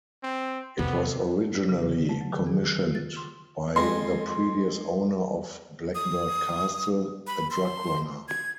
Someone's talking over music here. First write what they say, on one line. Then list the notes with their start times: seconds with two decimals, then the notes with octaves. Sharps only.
It was originally commissioned by the previous owner of Blackbird Castle, a drug runner.
0.23 C4
0.79 E2 C3 B3
1.69 C#3
1.83 D3
2.09 A3
2.21 F#3
2.32 D#3
2.47 G#4
2.81 F4
2.95 A6
3.17 C6
3.76 F2 G#3 C6
5.95 D#6
7.27 B5
7.51 C6
8.28 G#6